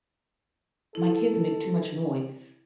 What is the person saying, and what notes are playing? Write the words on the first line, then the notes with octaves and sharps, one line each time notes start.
my kids make too much noise,
E4 A4